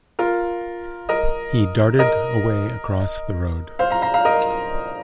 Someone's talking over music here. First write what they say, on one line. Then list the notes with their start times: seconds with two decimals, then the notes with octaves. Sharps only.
He darted away across the road.
0.19 F4 A#4
1.09 A#4 D#5
1.99 A#4 D#5
3.79 C5 F5
3.90 F5 A#5
4.02 F5 A#5
4.14 F5 A#5
4.25 A#4 D#5